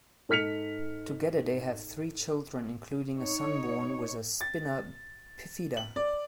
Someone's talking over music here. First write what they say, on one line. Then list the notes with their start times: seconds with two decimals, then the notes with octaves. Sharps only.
Together they have three children, including a son born with spina bifida.
0.29 G#2 A4 F6 B6 C#7 F7
3.16 D#4 C#5
4.41 A6
5.77 F#7
5.96 D5